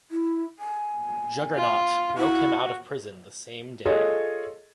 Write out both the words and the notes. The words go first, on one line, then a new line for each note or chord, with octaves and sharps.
Juggernaut broke him out of prison the same day.
E4
G#5
F4
E4 F#4
F4 G#4 A4 C#5 D#5